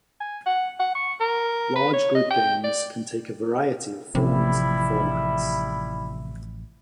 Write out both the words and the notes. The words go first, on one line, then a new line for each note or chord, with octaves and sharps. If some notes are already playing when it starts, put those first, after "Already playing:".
Large group games can take a variety of forms and formats.
G#5
F#5
F#5
C#6
A#4
B4
C#5
D#5
G5
D5
A1 C3 F3 G3 C#4 E4